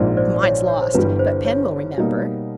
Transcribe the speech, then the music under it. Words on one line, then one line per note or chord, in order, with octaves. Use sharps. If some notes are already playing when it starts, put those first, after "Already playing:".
Mine's lost, but Pen will remember.'
Already playing: A#1 G#2 F3 A#3 C5 D5
C5 D5
D5
C#5
C#5
C5
G1 G2 E3 G3 B4
C5
C#5
B2 G3 A#3 D#4